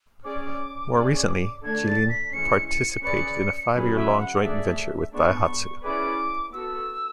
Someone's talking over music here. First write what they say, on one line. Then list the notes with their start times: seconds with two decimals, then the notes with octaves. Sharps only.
More recently, Jilin participated in a five-year-long joint venture with Daihatsu.
0.24 C#4 G#4 D5 D6
0.93 C#4 G#4 D5 D6
1.63 D3 A3 D4 A4 G#6
1.87 A6
2.09 B6
2.33 E3 G#3 C#4 C#7
2.68 C#7
3.03 C#4 G#4 B4 D5 C#7
3.73 D3 F#3 C#4 G#4 B4
3.96 E5
4.19 F#5
4.43 A3 D4 G#4 D5 E5
5.13 G#3 B3 D4 C#6
5.83 C#4 E4 G#4 B4 D5 D6
6.53 B3 F#4 A4 E6